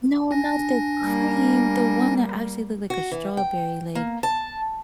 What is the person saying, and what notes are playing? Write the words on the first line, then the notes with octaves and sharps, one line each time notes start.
No, not the cream, the one that actually looked like a strawberry like
D4 G#5 A#6
G3 A#3
F#4
E3
G5
A#3
A5